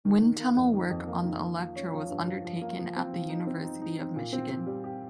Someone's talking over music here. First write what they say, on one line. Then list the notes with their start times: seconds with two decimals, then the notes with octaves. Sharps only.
Wind tunnel work on the Electra was undertaken at the University of Michigan.
0.05 D#3
0.22 D#3
0.39 A#3
0.56 F2
0.73 D#3
0.90 F2
1.07 A#3
1.24 D#3
1.42 A#3
1.59 F3
1.76 C#4
1.93 F3
2.10 G2
2.27 F3
2.45 F3
2.61 A#3
2.79 F3
2.96 C4
3.13 F3
3.29 D#4
3.47 C4
3.64 D#4
3.82 D#4
3.99 C4
4.16 A#2
4.33 C4
4.49 C4
4.67 G3
4.84 G4